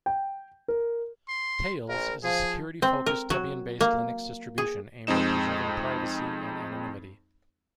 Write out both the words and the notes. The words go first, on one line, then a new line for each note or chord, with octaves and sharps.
Tails is a security-focused Debian-based Linux distribution aimed at preserving privacy and anonymity.
G5
A#4
C6
A#1 A#4
F3 G#4
C4
A#4
F#3
A#3
G#4
F2 G#3 C4 D#4 E7